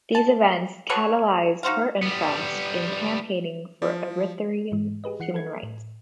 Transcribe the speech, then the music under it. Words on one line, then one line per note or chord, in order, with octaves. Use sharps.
These events catalyzed her interest in campaigning for Eritrean human rights.
A5
F#4 A4 B4 C#5
D#4 F#4 C5 F5
G3 B3
F3
G#2 E3 G#3
G4 G#4 B4 D#5
E3 F#5 C7 C#7
A4 B4 G#6
A2